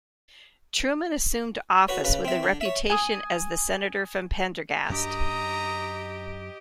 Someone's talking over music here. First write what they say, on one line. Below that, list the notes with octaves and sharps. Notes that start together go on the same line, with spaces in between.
Truman assumed office with a reputation as the Senator from Pendergast.
F#4 B4 C#5
C#3 B4
C4 E5
D3
C#5 E5
G#5 D#6
F#2 D4 G4 D#5 A#5 D#6